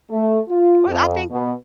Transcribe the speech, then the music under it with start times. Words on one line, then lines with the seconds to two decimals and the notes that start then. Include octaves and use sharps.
Well, I think
0.10 A3
0.49 F4
0.87 F2
1.30 B2